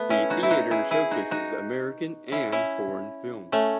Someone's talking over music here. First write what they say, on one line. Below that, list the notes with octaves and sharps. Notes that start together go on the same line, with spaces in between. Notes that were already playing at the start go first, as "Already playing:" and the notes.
The theatre showcases American and foreign films.
Already playing: A3 B3
C#4 E4
D#4 F#4
E4
D#4 F#4
E4 G#4
E4 G#4
D#4 F#4
D#4 F#4
C#4 E4
C#4 E4
A3 C#4